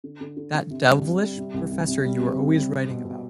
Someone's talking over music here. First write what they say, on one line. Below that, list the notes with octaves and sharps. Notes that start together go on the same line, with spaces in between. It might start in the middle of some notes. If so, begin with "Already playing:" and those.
That devilish Professor you were always writing about.
D3
D3
D3
D3
C3
G3
C3
G3
C3
C2
C2
C3
G3
C3
C4
G3
C4
B2
B2